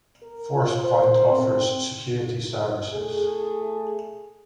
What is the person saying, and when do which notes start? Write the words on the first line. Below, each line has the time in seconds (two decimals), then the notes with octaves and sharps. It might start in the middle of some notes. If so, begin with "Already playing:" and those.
Forcepoint offers security services.
0.22 A#4
0.55 F4
0.84 C5
1.31 C4
2.91 A3 E4 G#4